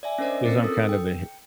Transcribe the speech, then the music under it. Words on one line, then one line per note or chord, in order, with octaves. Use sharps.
'cause I'm kind of a hi
D5 E5 G#5
C#4 D4 A#4 C5 D5 D#5
C4 C#4 F4 A#4 A6 C#7
A4 D#6 E6
G5